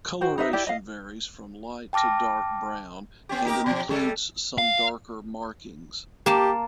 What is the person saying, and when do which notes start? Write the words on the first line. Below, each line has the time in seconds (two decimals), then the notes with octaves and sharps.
Coloration varies from light to dark brown and includes some darker markings.
0.21 F#4 C5 G5
0.38 D#4 B4 D#5 E5
0.53 E4 G4 D5
0.67 D#5 F5
1.93 G5 A5 D6 F6 A#6
3.29 B3 C#4 G4
3.45 D#4 G4 A#4
3.66 B2 D3 F3
3.90 G3 G#3 A4
4.58 F5
6.26 A#3 G4 A5